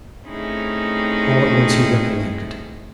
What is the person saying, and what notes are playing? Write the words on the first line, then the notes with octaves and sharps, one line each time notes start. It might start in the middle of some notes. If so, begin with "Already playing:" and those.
All at once he recollected.
A3 C4 C#4 D#4 E4 G#4